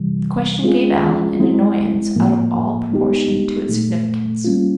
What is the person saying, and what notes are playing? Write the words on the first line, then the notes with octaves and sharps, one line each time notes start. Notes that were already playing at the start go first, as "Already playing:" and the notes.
The question gave Alan an annoyance out of all proportion to its significance.
Already playing: C3 E3 G3
G#3 C#4 F4 G#4
G#3 C4 E4
A2 F3 A#3
G#3 B3 D#4 G4
A#2 F#3 A3
G3 A#3 C#4 F4